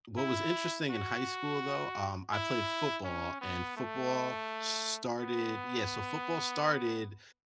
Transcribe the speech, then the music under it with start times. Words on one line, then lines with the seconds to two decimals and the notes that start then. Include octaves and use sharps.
what was interesting in high school though, um, I played football and football started yeah, so football started,
0.18 E4
0.90 F#4
2.33 E4
3.04 C#4
3.41 B3
3.77 A3
5.20 B3